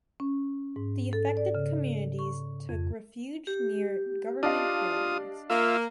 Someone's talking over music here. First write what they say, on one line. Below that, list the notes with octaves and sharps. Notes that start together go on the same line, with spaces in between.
The affected communities took refuge near government buildings.
C#4
G#2
A4
D5
C#3
C#6
F2
G4
D4 F4 D#5 F5 D#6
A#3 F4 E5